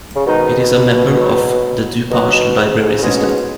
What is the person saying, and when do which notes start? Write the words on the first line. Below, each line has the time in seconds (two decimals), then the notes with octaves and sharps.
It is a member of the DuPage Library System.
0.16 C#3
0.26 G#2 B2 D#3 G#3 D#4
1.19 G#2 F#3 D#4
2.10 B2 F#3 D#4 F#4
2.33 B2
2.56 G#2
2.80 G#2
2.98 C#3
3.02 G#2 B2 G#3 C#4 G#4